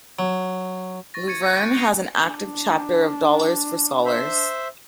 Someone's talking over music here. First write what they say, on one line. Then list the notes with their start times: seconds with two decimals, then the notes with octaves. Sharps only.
Luverne has an active chapter of Dollars for Scholars.
0.19 F#3
1.14 C#6 A6 A#6
1.27 C#6 G#6 A6 C#7 D#7
1.42 G6 C#7 D#7
1.54 F#6 D7 D#7
1.77 A#6 C7 D#7 F7
2.24 D4
4.05 C5 E5